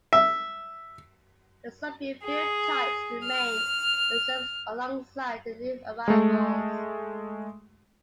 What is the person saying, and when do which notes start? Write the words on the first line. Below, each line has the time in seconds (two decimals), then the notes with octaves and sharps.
The Soviet-build types remained in service alongside the new arrivals.
0.13 E5
2.23 G#4
3.25 F6
6.08 G#3 A3